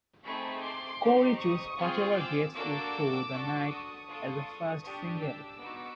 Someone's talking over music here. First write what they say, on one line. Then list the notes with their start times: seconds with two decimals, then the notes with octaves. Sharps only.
Coury chose "Whatever Gets You thru the Night" as the first single.
0.24 A3 C4 D#4 G#4 B5 C#6
0.62 C6 D6
1.01 C4 D#4 G4
1.38 C#6 D#6
1.77 C4 F4 G#4
2.16 D6 E6
2.53 A#3 D4 F#4 A4 D6 E6
3.31 D4 F#4 A4
3.68 C#6 D#6
4.07 D4 F4 A4
4.83 D4 G4 C#6 D#6
5.21 D6 E6
5.59 B3 D#4 F#4